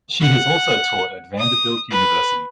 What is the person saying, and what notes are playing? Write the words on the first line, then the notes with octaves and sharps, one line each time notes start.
She has also taught at Vanderbilt University.
F#5
D#6
B4